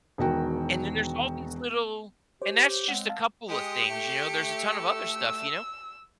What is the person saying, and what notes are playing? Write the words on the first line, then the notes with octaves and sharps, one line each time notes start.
and then there's all these little and that's just a couple of things, you know, there's a ton of other stuff, you know?
E1 D#3 F#4 G5
G4 C5 C#5
G#3 C4 F#5
F5 A5
G#3 G4 D#6 C#7
A3
E6